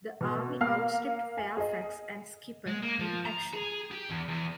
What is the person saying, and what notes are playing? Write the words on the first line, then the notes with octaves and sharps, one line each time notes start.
The army outstripped Fairfax and Skippon in action.
B2
A#3 F5 F6 C7
G#5
G#4 D#5
G#3
A#3
F3
A#5
G#4
G4
E2
E2